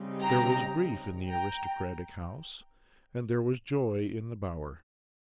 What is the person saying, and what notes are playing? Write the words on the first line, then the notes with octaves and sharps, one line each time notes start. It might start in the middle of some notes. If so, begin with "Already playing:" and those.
There was grief in the aristocratic house, and there was joy in the Bower.
Already playing: C#3 G3 C4 D#4
G5 A#5
G5 A#5